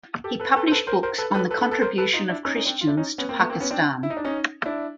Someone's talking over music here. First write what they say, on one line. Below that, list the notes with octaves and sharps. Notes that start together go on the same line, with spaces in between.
He published books on the contribution of Christians to Pakistan.
G4 A4
A4 B4
A4 B4
C5
A4 B4
A#4 C5
A#4 C5
A4 B4
A4 B4
A4 B4
A4 B4
A4 B4
A#4 C5
A4 B4
D#4 F4
D4 E4
C#4 D#4
C#4 D#4
C4 D4
F4
D4 E4
C#4 D#4
B3 C#4
A#3 C4
A3 B3
A#3 C4
B3 C#4
C4 D4
E4
D#4
D4
C#4 D#4
D4 E4